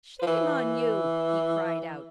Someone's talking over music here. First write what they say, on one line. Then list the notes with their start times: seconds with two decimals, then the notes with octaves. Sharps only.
"Shame on you!" he cried out.
0.22 F3
0.27 E3